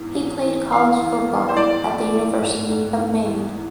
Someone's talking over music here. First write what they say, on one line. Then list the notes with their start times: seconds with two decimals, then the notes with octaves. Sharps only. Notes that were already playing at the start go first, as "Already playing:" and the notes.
He played college football at the University of Maine.
Already playing: E2 G#2
0.16 E3
0.44 E3
0.72 E2 F5
0.99 E2
1.28 E2
1.49 C5
1.56 A2 D5
1.84 F3
2.13 A2
2.41 G#2
2.69 G#2
2.98 G#2
3.26 E2